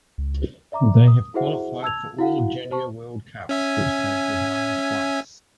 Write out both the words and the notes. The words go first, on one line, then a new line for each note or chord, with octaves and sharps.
They have qualified for all Junior World Cups which they have won twice.
C#2
D5 E5 A#5 D6
D#6
E4 F#4 G#4 C5 E5 F#5
A5 E6 G#6 F7
E4 F#4 F5 F#5
C5 A5 C#6
C#4 E5 G#5